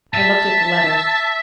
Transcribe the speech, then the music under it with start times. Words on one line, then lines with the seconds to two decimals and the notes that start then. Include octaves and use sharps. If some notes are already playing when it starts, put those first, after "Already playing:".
I looked at the letter.
0.14 E5 A5